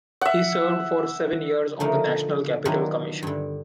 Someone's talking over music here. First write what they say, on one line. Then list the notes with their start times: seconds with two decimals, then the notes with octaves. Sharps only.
He served for seven years on the National Capital Commission.
0.21 E5 F#5
1.80 D3 F3 A3 D#4 A#4
2.65 D#3 F#3 B3 D4 F4 D#5
3.23 G2 D3